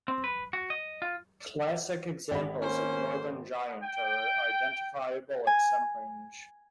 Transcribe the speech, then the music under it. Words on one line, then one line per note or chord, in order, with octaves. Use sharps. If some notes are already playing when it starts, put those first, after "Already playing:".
Classic examples of northern giant are identifiable at some range.
C4
B4
F#4
D#5
F4
G#1 G4 B5
A#3 C#4 C5
G5
G#5